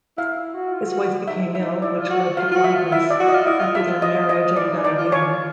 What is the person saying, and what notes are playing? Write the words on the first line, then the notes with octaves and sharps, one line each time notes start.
His wife became ill, which led to blindness, after their marriage and died young.
E4 F5
E4
F#4
F4
F#4
F#4
D#4 E5
E4
D#4 E5
E4
E4 D5
F4
F#4
F4 F5
F4
F#4
E5
F4
E4 E5
D5
F#4
F4 D#5
E4 D#5
F4
E5
D#5
D#5
E4 D5
D#4
D#4 D5
F4
C#5